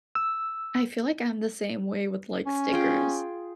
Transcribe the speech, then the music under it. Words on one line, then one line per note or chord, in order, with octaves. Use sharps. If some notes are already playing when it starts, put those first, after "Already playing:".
I feel like I'm the same way with, like, stickers.
E6
C#4
F4 G#4 G5